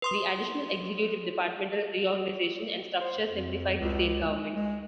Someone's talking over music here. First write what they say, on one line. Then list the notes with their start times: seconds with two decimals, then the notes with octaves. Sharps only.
The additional executive departmental reorganization and structure simplified the state government.
0.02 B4 C6 D#6
3.00 C5
3.28 F2
3.80 C#2
4.24 G#3
4.55 G#3